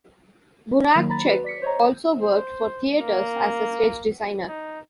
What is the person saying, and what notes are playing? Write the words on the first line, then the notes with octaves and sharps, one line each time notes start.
Burachek also worked for theaters as a stage designer.
D#3 F#3 A#3
A#5 B5 A6
F#4 B4
D5 B6 C#7
C5 C#5 D#5 A#5
C5
A#3
D#4